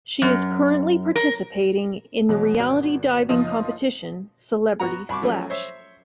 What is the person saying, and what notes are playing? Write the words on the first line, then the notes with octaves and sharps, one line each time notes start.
She is currently participating in the reality diving competition Celebrity Splash!
F#2
A#4
B2 E3 F#3
G#1 F#4 D7
F#1 F3 D#4 F4 D#5
B3 F#4 F#5 A#5
C2 B5 C#6 D6
F3 F#3 A3 C#4
C5 C#5 E5